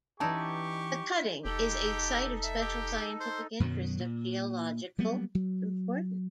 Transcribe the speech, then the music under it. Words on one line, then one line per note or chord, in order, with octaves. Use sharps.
The cutting is a Site of Special Scientific Interest of geological importance.
E3 C#4 D#4 E4 G4 D5 A5 C#6
F1 D#4 G4 A4
E5
G4
C5
F#2 B2 D#3 F#3
A#2
F#3 G3 A#3 B3
F#3